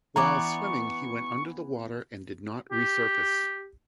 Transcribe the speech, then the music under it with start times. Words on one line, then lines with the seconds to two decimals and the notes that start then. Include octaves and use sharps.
While swimming he went under the water and did not resurface.
0.16 E3 B3 D5 A#5 C#6 D6
2.72 G4